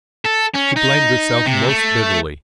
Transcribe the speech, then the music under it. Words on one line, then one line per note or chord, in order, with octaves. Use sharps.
She blamed herself most bitterly.
A4
C#4
D#4
C3
A3